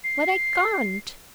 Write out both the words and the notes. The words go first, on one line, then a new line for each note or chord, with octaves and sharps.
But I can't.
C7